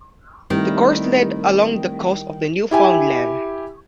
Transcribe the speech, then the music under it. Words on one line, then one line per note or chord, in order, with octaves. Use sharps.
The course led along the coast of the new found land.
D#3 G3 A3 C4 E4
E4 G4 G#5